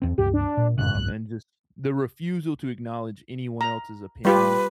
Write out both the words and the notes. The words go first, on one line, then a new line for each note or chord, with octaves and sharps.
Um, and just the refusal to acknowledge anyone else's opinion,
E2 C4
C#2 G2 G4
D4
A#2
F#2 A2 C#3 F#6
F#1 C#2 G#2
A#5
G3 F4 G4 B4